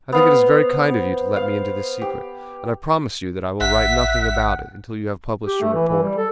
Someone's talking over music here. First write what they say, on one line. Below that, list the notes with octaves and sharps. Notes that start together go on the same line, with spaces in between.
I think it is very kind of you to let me into this secret, and I promise you that I will write nothing about it until you have published your report.
B3 C5 F5
F5
G4
A1 E5 F#5 B6
G4
A3
E3
E3
G3
A4